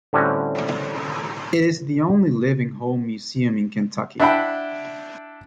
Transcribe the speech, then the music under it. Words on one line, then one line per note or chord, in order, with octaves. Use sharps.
It is the only living home museum in Kentucky.
A2 D3 G3 C4 C#4 F#4
D4 E4 E5 F#5 G5 B5